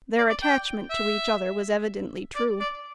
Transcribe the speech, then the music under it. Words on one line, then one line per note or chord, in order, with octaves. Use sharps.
Their attachment to each other was evidently true.
D5
D5
G5
E5
D5
D5